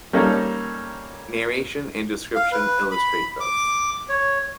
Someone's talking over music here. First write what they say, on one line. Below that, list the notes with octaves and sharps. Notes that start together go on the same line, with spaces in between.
Narration and description illustrate this.
G3 A#3 C#4 D#4 A4
F5
B4
B5
D6
C#5